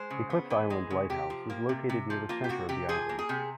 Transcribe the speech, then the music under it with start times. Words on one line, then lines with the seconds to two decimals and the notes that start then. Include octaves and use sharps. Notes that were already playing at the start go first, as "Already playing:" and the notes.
Eclipse Island Lighthouse is located near the centre of the island.
Already playing: G#3 C5
0.10 C#3
0.30 B3
0.50 E3
0.70 G#3
0.90 C#3
1.10 C3 G4
1.30 F3
1.50 A#3
1.69 C3
1.89 C3
2.10 F3
2.29 A#3 F4
2.44 G4
2.49 C3 F#4
2.69 C3 G4
2.89 F3 G#4
3.09 A#3
3.19 G#4
3.29 C3